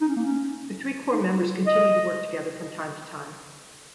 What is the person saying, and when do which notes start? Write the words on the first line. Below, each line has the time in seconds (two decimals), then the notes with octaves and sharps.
The three core members continue to work together from time to time.
0.01 D#4
0.08 C#4
0.16 A#3
0.25 C#4
1.12 D#4
1.39 F4
1.67 D#5